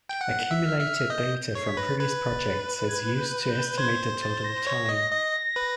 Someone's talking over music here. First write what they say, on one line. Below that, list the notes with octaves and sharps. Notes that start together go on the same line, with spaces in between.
Accumulated data from previous projects is used to estimate the total time.
G5
F#5 F#6
E5
F6
E5
D#5 G6
C#5 C7
B6
B4 A#6
A6
B4 G#6
A6
G#6
G6
G6
C5 G#6
A6
A#6
C#5
D#5
D#5
B4